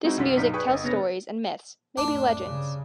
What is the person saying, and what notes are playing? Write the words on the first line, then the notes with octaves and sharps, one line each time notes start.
This music tells stories and myths, maybe legends.
G#3 C4 D#4 E4 F#4 G#4
G1 C2 F#5 C6 B6
B1 G2 D#4 B6
G#4 B4 D5 G5 C#6 D#6
G1 D#5 C#7
G2 C#3 B3 C#5 A6 A#6
F2 A2 D4
G2 C#3